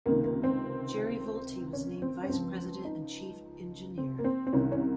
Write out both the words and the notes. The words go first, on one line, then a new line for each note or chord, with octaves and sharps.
Jerry Vultee was named vice president and chief engineer.
C#2 C3 D#3 A#3
A#3
C4
C#4
C4
C#4
C#2 C#3 F3 C4
D#4
C4
A#3
C4
C4
C2 C3 D#3 C#4
C#4